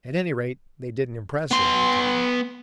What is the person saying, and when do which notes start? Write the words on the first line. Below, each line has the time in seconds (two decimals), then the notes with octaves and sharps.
At any rate, they didn't impress her at the time.
1.51 B3 C6